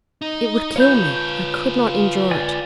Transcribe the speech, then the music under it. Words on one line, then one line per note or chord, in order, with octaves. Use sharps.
It would kill me; I could not endure it.
D#4
F4 B4 C#5 G6
D5 G#5